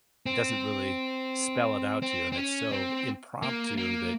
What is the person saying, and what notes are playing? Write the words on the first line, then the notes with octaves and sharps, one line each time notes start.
It doesn't really spell it out to you, and it's so impromptu that,
C4
C4
C4
C#4
C4
A#3
A#3